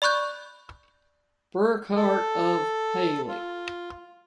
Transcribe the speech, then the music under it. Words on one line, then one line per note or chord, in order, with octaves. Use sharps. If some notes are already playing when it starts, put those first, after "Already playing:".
Burkhart of Hailey.
D5 B5 C#6 F#6 G6
A4
F4